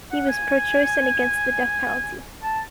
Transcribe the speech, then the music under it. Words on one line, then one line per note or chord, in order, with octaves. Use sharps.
He was pro-choice and against the death penalty.
F#5
G#5
A5